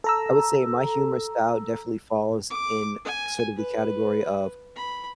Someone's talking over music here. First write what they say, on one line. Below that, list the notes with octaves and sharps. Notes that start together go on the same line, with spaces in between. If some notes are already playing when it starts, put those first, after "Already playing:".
I would say my humor style definitely falls in sort of the category of
A4 A#5 E6
D6
G#5
B4
B5